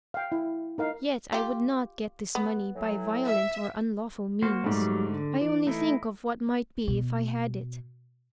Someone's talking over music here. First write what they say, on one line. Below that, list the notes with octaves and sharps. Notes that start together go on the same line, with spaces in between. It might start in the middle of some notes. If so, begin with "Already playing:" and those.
Yet I would not get this money by violent or unlawful means; I only think of what might be if I had it.
F5 G5
E4
D#4 A#4 F5
F4 G4
B3
A2 E3 F#3
E5
A#3 F#4 C5
G#2 F#3 G3 A3 D5
D3
E3 D5
A3 D#4 E4
B2